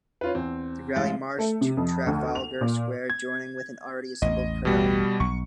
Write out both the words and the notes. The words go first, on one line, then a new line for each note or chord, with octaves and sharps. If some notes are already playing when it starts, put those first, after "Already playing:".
The rally marched to Trafalgar Square, joining with an already assembled crowd.
C#4 F4 B4
E2 C4
A1 G#3 F5 A6
A3
C3
F2
D2
F7
A#2
G#6
A1 E2 D#5
B2 G3
B1 C#6